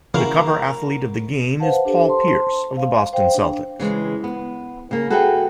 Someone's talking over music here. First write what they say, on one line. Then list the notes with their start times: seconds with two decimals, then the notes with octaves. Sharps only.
The cover athlete of the game is Paul Pierce of the Boston Celtics.
0.14 C#3 E3 A#3 E4 F#4 F5 A#5
1.60 B4 C5 F5 F#5 A5
1.85 D4 G4 A4 C5
2.07 C5 A5 C6
2.77 F5
3.13 C5 F5 G5
3.34 D4
3.80 C#3 E3 G#3
4.24 B3
4.91 C#3 A#3
5.10 F#4 G#4 A4 B4 E5 G5